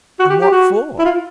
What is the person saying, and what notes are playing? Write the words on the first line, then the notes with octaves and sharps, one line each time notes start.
"And what for?"
F#4
G4
G4
F#4
E4
F4